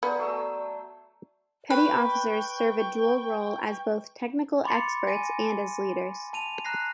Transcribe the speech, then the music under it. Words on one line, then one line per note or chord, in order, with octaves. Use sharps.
Petty officers serve a dual role as both technical experts and as leaders.
B3 G#4 C5 D5 G#5 A#5
F#3 A3 E6
B4 G5 C#6
B5 C6 D6 A6 C#7
G#5 A#6 D#7
A5 D#7 F7
A#5 F#6 A#6 C7